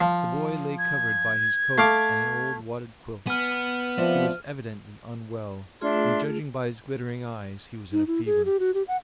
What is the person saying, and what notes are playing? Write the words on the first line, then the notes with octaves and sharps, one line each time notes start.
The boy lay covered by his coat and an old wadded quilt. He was evidently unwell, and, judging by his glittering eyes, he was in a fever.
F3
G#6
A3 F5 D6
B3 G#5 F6 D#7
F3 C4 D5 E5
A3 D4 F4 G#4 E5 C6
D#4
E4
G#4
G4
F#4
G4
F#5